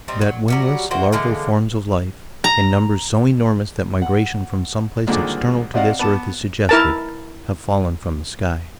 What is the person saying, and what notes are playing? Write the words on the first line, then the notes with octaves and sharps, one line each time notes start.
That wingless, larval forms of life, in numbers so enormous that migration from some place external to this earth is suggested, have fallen from the sky.
G3 C4 D#4
F#3
F#3 G3 F#4
E3 A#3 F#4 C5
D3 E3 G#3 A#3
A#5
F#5
C2 A#2 D3 D#3 G#3 D6
C3 F#4 D5 D#5 F5 F#5
B3 A5 D6
E4 A#4 A5